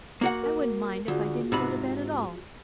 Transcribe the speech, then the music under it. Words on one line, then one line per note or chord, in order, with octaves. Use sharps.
"I wouldn't mind if I didn't go to bed at all."
A#3 F#4 F#5
A#4
D2 F4 F#4 G#4
G#2 C3 B5